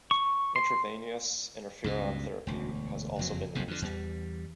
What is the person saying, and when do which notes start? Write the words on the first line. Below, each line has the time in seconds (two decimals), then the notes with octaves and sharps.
Intravenous interferon therapy has also been used.
0.11 C#6
0.56 C6
1.84 C#2 G2 B2
2.47 E1 D2
3.19 F#1 F2 F#3
3.55 F1 B1 G2 C3
3.68 F2 D3
3.82 E2 G3